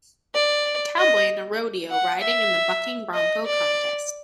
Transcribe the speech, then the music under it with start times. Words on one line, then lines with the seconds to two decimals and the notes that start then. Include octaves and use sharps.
A cowboy in a rodeo riding in the Bucking Bronco contest.
0.35 D5
0.98 D#5
1.91 F#5
2.21 E5
3.14 D#5
3.46 D5